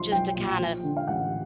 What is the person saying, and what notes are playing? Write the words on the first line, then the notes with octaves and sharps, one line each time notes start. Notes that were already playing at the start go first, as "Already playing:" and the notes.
just to kind of
Already playing: B1 F3 C6
B1 G5
A#2
F3
D3
F5
A1 F#5